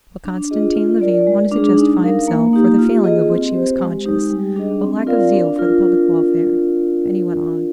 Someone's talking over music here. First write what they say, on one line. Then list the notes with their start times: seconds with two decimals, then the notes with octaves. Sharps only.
But Konstantin Levin wanted to justify himself for the failing, of which he was conscious, of lack of zeal for the public welfare, and he went on.
0.25 D4
0.51 F4 G#4 D#5
0.75 F4
1.01 A#4 D5
1.27 G#3
1.51 D4 G#4
1.76 D#4
2.03 A#4 F5
2.28 A#3
2.53 D#4 G4
2.78 F4
3.04 G#4 D#5
3.30 C4
3.54 G4 C5
3.79 G#3
4.06 D#4 G4
4.30 G3
4.56 D4 G#4 D#5
4.82 C4
5.07 F4 A#4 D5 F5
5.33 D4
5.58 F4 A#4